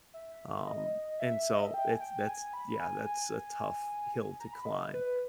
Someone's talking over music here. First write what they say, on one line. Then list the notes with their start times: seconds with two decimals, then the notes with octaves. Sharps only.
Um, and so, it's that's yeah, that's a tough hill to climb,
0.14 E5
0.66 D#5
1.20 E5
1.55 D#5
1.64 E5
1.74 G5
1.91 G#5
2.00 G5
2.27 G#5
2.53 B5
2.80 G#5
3.06 G#5
4.40 A#5
4.53 B5
4.66 D#5
4.93 B4